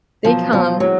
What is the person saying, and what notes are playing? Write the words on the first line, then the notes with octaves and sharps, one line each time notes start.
they come,
B2 F3 F#3 B3
B2 F3 F#3 B3
E3 F#3 G#3 C4